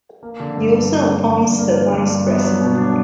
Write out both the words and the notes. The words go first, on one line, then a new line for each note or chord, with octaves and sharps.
He also appoints the vice president.
A#3
D3
G2
G2
A#3
D3
G2
G2
A#3
D3
G2
G2
B3
F#3
B2
D4